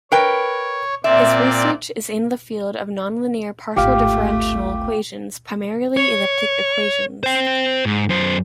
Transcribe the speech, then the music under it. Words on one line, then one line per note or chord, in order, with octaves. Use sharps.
His research is in the field of nonlinear partial differential equations, primarily elliptic equations.
A#4 B4 C#5 G5
A#2 C4 D5 E5
D1 G#1 A3 F4 G4 F5
C#5
C5 G5
G#2
F#2 C5